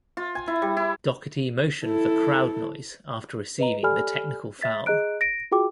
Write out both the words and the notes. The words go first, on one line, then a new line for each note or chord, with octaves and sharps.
Doherty motioned for crowd noise after receiving the technical foul.
F4
G#5
E4
G3
E4
E4 A4
B4 D#5 A#5
G4 A4 D5 G#5 B5 F6
E5 A6 B6
G#4 D#5 A#5 F#6 D7
A#6 D7
F4 F#4 G#4 G5 D6